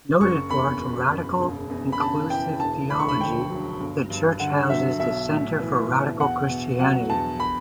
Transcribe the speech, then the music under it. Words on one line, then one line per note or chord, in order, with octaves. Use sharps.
Noted for its radical, inclusive theology, the church houses the Centre for Radical Christianity.
F#1 C#6
E2 B5
B2
F#1
E1
E2
B5
C#3 A5
E3 G5
E1 A5
D2 B5
C#6
B5
D3 G5
F#3
G1
G2
D3 F#5
F#3 E5
B1 E5
A2
E3
B1
E2 F#5
B2
F#3 F#5
E2 A5
B5